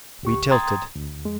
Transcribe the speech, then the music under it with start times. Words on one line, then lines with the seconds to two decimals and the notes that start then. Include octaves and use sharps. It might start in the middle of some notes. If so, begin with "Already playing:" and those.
We tilted.
0.23 D2 G4 C#6
0.51 G5 A#5 C6 D#6 G#6 A6
0.95 D2
1.25 F2 G#3